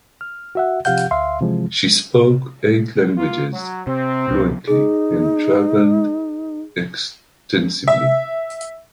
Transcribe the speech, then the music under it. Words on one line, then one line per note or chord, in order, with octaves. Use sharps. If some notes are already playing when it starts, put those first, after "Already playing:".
She spoke eight languages fluently and traveled extensively.
F6
F#4 E5 F#5
C3 F3 G4 F5 F#5 G6
D2 E5 F5 C6
C3 E3 F3 G#3
A#3 F4
F#3
C3 C4
C#2 B2
D#4 G#4
E5